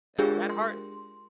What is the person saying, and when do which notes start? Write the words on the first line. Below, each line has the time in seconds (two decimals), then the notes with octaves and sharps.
And that hard
0.19 G#3 D4 F4 G4 G#4 A#4
0.50 C6